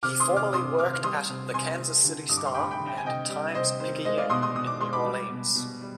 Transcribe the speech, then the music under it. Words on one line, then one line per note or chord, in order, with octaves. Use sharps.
He formerly worked at "The Kansas City Star" and "Times-Picayune" in New Orleans.
C3 D6 F6
C6 D#6
C3
D6 F6
C3 C6 D#6
C3 D6 F6
F6
G3 C6 D#6
C3
C3 G#5 C6
C3
D3
G2 D#6
D6
C6
G2 G5 B5
G5 B5
D3
G5
G#5
C3 D#5 G5
G3
C3 C5 D#5
D#3 C5
G#3 C5 D#5
D5 F5
B2 C6 D#6
C6 D#6
B2 D#6
D6
G#3 C6
B5 D6
G3
B2
B2
G3